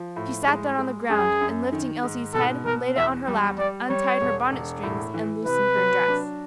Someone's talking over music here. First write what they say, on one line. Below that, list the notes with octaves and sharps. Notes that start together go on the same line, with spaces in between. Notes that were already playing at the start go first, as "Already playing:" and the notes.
She sat down on the ground, and lifting Elsie's head, laid it on her lap, untied her bonnet-strings, and loosened her dress.
Already playing: F3
A2
G#3
G#3
F#2 G#4
F#2
D#3
G#2
B2 A4
B2 A#4
E2 E5
G3
G3 D5
G3 C#5
E1
E1
A2
E3
C3 B4
F#3
D4